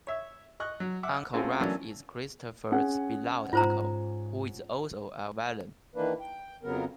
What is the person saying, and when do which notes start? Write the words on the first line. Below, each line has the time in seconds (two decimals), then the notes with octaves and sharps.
Uncle Ralph is Christopher's beloved uncle, who is also a villain.
0.07 C#5 E5
0.60 D#5 C#6 F#6
0.80 F#3
1.03 E5 F#5 D6 E6
1.33 A3 C4 C#4 F4 F#4 G#4
1.60 E3 F#3 A3 A#3 C#4 D4
2.72 C#4 G#4 F#5
3.53 G#2 F4 C5 A#5
5.95 D#3 E3 A#3 D4 B4
6.20 G5
6.63 F2 C#3 F#3 B3 A#4